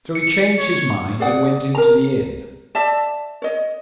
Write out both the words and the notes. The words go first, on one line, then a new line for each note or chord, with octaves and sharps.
So he changed his mind, and went into the inn.
C#7
C#5
G#4 D5 F#5
A#4 A#5
D5 E5 A5
C#5 D#5